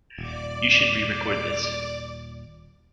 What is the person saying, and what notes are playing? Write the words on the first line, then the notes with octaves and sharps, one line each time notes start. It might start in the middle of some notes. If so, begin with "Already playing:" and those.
You should re-record this.
D#1 D5 D6